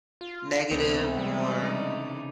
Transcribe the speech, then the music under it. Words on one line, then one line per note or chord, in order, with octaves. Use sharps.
negative or
F4
C#2 C3 E3 A3 B3 C4
G3 G#3
C#3 D4 D#4